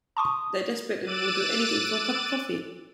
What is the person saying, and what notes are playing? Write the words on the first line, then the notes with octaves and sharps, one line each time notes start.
They're desperate and will do anything for a cup of coffee.
A5 C6 C#6 D#6
D6 E6 F#6 A6 D#7